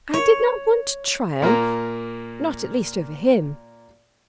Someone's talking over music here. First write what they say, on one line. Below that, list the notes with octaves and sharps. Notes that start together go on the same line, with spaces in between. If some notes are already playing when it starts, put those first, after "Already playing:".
"I did not want to triumph;--not at least over him."
C#5
A#2 A#3 A#4 A#5